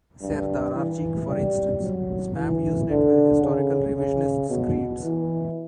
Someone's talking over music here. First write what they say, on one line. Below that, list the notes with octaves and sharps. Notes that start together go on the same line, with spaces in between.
Serdar Argic, for instance, spammed Usenet with historical revisionist screeds.
G2
E3
G3
F#3
E3
D3
C#3
C#3
B2
E3